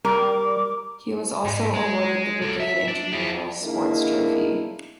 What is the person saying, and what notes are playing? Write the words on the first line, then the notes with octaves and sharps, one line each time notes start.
He was also awarded the Brigade Intramural Sports Trophy.
G3 A#4 D6
G#2
G#3
C#2 A4
E5
D4
E4 G#4
D#3 G#3 A#3 D4 E4